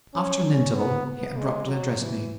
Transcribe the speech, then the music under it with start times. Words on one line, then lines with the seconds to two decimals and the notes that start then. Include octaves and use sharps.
After an interval, he abruptly addressed me.
0.14 C#4
0.45 C#4
0.76 B3
1.06 B3
1.38 G#3
1.68 F#3
1.99 E3